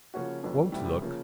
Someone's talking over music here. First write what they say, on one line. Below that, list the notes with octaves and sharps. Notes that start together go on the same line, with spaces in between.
Won't look.
C#3 F3 A#3 C#4 F#4
F2 D3 F#3 B3 D4
D2 C3 E3 G3
C#3 F3 A#3